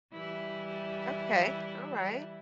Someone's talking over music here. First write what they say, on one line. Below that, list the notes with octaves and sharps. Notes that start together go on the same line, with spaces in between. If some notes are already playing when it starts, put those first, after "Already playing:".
Okay, alright,
E3 G3 E4